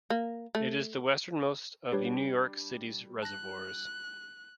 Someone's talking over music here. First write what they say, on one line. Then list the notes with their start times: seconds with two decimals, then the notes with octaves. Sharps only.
It is the westernmost of New York City's reservoirs.
0.10 A#3
0.55 A3
1.92 G3 D4 G4 B4 C#5
3.23 A5 F#6 A#6